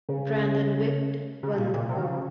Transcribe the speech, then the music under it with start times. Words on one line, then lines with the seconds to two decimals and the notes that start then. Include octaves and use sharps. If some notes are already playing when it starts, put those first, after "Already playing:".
Brandon Whitt won the pole.
0.09 C#3
1.43 C#3
1.53 C3
1.58 A#2
1.74 A#2
1.89 C3
1.98 D#3
2.04 C#3